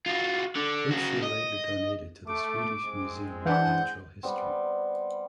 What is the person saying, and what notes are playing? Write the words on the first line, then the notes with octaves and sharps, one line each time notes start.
Which she later donated to the Swedish Museum of Natural History.
F4 F#4
D3
C#3 F#4
D#5
A3 D6
C2 G#3 C4
E3 D4 F#5 G6
G3 B3 C4